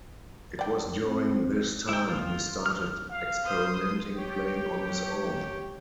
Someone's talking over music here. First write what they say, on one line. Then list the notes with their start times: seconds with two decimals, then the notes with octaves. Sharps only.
It was during this time he started experimenting playing on his own.
0.59 D5 G5
1.04 C4
1.89 E4 G5
2.09 F4
2.66 F6
3.10 F5
3.44 C5 D#6
4.17 G4 C#5 G5